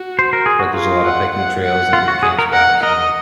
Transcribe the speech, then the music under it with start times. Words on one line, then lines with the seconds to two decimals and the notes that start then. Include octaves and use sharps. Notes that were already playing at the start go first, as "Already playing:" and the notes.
But there's a lot of hiking trails and good camp spots and, like,
Already playing: F#4
0.19 C5
0.33 A#4
0.46 G#4
0.59 F#4
0.74 F4 G#4
1.04 F#5
1.33 F#5
1.63 F#5
1.93 F4
2.08 F#4
2.23 G#4
2.39 A#4
2.53 A#4 F#5
2.83 A#4 D#5